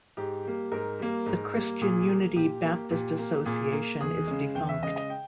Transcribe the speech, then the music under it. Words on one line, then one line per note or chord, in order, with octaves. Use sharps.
The Christian Unity Baptist Association is defunct.
G#2 G4
G3 A#3
G#2 A#4
G3 A#3
G#2
G3 A#3
A#2 G#4
A#3
A#2 G4
A#3
A#2 G4
A#3
A#2 G#4
A#3
E2 G#4
C#3 G#3
E2 G5
E5
C#3 G#3 D#5
D#5
G5